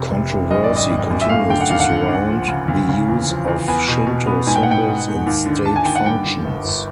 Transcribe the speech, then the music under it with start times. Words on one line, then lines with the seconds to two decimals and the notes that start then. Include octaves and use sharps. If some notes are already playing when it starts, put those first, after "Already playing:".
Controversy continues to surround the use of Shinto symbols in state functions.
Already playing: F1 C3
0.11 F1
0.31 F1
0.51 F#2 D#5
0.64 D5
0.70 G#1
0.76 D#5
0.91 G#1
1.11 F#2
1.21 E5
1.29 A3 F5
1.49 D3 G5
1.61 F#5
1.69 D#2 F5
1.80 F#5
1.90 D3
2.09 D2
2.28 F3
2.48 C#3
2.68 D2
2.89 C#3
3.08 E2
3.29 F3
3.47 E2
3.67 B3 G#5
3.88 B2
4.07 B2
4.27 B3
4.46 G#2 G#5
4.56 G5
4.63 F#5
4.67 G#2 G5
4.87 G#2
5.07 G#2
5.26 D#2
5.46 D3
5.65 D#2 A5
5.76 G#5
5.85 D#2 G5
5.95 F#5
6.05 G2 G5
6.25 D3
6.44 G1
6.64 G1